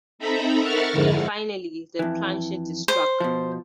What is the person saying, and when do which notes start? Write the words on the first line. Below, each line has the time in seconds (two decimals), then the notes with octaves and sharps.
Finally, the planchet is struck.
0.19 C4 D#4 A4 E5 A#5 B5
0.60 A#4 E5 F#5 C#6 F6 A6
0.92 F2 G#2 D3 G#3 D#4 E4
1.99 F2 E3
2.88 C5
3.20 B2 F3